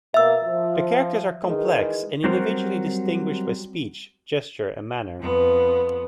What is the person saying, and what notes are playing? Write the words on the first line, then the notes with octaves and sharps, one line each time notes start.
The characters are complex and individually distinguished by speech, gesture, and manner.
B2 A#3 E5 E6
F3
D#3 E3 G#3
F#3 G3 C4 F#4 A#4 C5
F2 B3